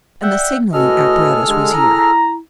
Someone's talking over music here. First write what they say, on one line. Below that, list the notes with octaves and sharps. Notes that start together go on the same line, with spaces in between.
And the signaling apparatus was here!
D5 E5 F#5 G5
A2 F#4 G#4 A4 B4 D#5 F6
D3 G#3 G4
E4 A#5